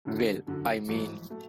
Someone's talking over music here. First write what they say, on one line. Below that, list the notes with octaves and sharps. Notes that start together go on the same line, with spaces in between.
Well, I mean!
F#2 D3 F#3
F#2 D3 F#3
A1 G#2 F#3 A3
F#3 A3